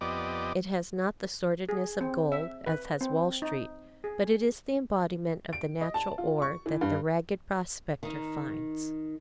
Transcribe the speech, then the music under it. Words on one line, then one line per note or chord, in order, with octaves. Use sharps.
It has not the sordidness of gold, as has Wall Street, but it is the embodiment of the natural ore that the ragged prospector finds.
F2 B3 G4 D5 D#5
G#4
C4
E5
B4
C4
D#4
G#4
D7
D#5
A5
F4
C#6
E3
G2
D#3 D#4